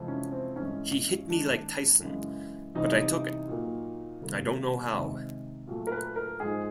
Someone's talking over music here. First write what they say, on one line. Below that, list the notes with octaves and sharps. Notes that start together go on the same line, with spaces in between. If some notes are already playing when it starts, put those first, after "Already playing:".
He hit me like Tyson, but I took it - I don't know how.
Already playing: F2 C3 E3 G#3
C#4
C4
G2 E3 G#3 C#4
F#2 D#3 G#3 D4
F#2 C#3 E3 G#3
E2 C3 E3 G3 D#4
A#2 F#3 A#3
C3 D#3 G3 A#3
C3 D#3 G#3
A#2 F#3 A3
A#4
B4
A#4
G#2 F3 G#3 G#4